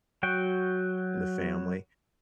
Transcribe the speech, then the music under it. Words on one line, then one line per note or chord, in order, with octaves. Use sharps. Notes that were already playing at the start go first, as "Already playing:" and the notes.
and the family.
F#3 F#4 G5